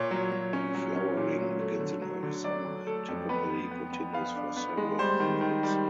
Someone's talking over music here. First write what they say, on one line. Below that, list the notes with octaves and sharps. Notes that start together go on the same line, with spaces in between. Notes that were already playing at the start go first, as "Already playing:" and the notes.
Flowering begins in early summer and typically continues for several months.
Already playing: A#2 C#5
F#3
F#3
C#4
F#3
C#4
A#2
F#3
A3
D3
F#3
D3
F#3 D5
D3
A3 A4
F2
B3 B4
B3
B3
B3
B3 F5
D4
B3
G#3
G3 C5
D#3
D#3
G3